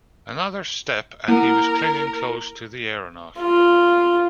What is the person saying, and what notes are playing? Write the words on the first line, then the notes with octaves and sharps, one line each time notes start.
Another step and he was clinging close to the aeronaut.
A#3 E4 A#4
F4